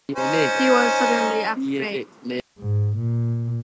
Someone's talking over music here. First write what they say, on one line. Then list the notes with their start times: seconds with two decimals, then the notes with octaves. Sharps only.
He was suddenly afraid.
0.15 C#4 D#4 C5
2.59 G#2
2.97 A#2